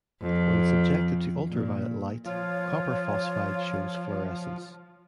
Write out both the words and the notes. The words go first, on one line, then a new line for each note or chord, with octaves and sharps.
When subjected to ultraviolet light, copper phosphide shows fluorescence.
F2
A#2
F3 F4 C#5